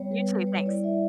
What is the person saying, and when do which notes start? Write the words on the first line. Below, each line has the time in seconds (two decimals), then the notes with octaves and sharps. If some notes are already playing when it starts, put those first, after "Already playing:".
You too, thanks.
Already playing: G3 B3 C#5
0.11 G3 B4
0.29 G3 B4
0.47 G3 C#5
0.65 E4 D5
0.84 E4 E5